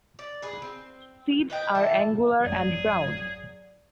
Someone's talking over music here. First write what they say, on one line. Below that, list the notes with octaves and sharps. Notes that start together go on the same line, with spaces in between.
Seeds are angular and brown.
D5
G#4 B4
C4
B4 D#5 G5
D3 E3 E5 A5
G#1 F#2 F#3 A3 G#4 D5